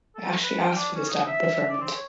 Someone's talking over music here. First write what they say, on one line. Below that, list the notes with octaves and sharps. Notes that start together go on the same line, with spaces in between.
I actually asked for this dab of preferment.
A4
B4
G5
D4
C#4
D#4
E5
E5
D5
C4
C#5